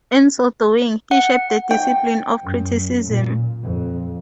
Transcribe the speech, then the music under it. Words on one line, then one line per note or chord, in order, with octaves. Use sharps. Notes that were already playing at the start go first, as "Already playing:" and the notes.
In so doing, he shaped the discipline of criticism.
F#5
G5
F#2
A#2
F2